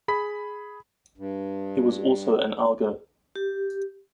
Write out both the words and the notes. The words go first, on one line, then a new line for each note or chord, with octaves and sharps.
He was also an augur.
G#4 B5 B6
G2
G4